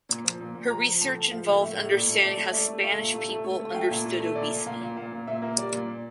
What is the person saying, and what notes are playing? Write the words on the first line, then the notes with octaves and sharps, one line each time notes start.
Her research involved understanding how Spanish people understood obesity.
A#2
F3
A#2
A#2
F3 A#5
F3
A2 A5
A2
F3 F5
A2
A2 E5
A2
A#2 D5
A3
A3 D5
A3
E5
A3 D5
A3
A3 F5
A#2
A3
A3
A3
A3
F5
A3 G5
A#2
A3
A3
A#2 D5
A#2
A#2 F5
A#2
A#2 F5
A#2
A#2 E5
A#3
G3 D5
A#2
A#2